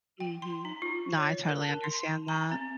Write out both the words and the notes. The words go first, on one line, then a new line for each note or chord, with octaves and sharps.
Mhm. No, I totally understand that.
G5
C6
D#4
F4
C#5
A#4
A5
C6
A#5
C4